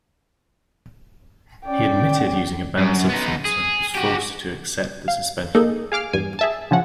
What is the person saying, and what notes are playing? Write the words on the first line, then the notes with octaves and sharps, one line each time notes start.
He admitted using a banned substance and was forced to accept the suspension.
C#4 D5 G5
F#2
B3 D#4
G#4
F#4 G4
F5
A#3 D#4 G#4 A4
G#4 F5 D6 F6
E2 G2 G#5
G#4 E5 A5
C#3 F3 C#4 F#5